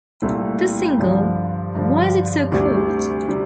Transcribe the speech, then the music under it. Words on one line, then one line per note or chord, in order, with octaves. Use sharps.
The single Why's It So Cold?
C2 A#2 A3 C4 E4
G2 D3 F3
G2 D3 F3
D2 C3 G3 D4
C3 G3 D4